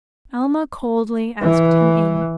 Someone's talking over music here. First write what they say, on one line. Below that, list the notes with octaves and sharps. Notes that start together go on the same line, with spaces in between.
Alma coldly asked him in.
E3